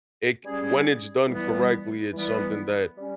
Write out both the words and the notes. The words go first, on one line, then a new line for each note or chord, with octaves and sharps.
it c When it's done correctly, it's something that
G3 C#4 G#4
E3 G3 B3
E3 G3 B3
G3 C#4